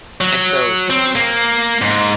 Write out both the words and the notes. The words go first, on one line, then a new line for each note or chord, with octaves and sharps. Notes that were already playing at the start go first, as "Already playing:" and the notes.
And so,
F#3
C4
A#3
G#2